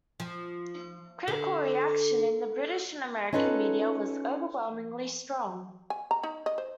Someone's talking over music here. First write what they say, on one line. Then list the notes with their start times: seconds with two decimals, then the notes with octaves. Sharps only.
Critical reaction in the British and American media was overwhelmingly strong.
0.20 F3
1.28 D3
3.33 C#4 D#4 F4 A4 B4
5.90 G#5
6.11 A#5
6.23 D#4
6.46 D#5
6.58 C5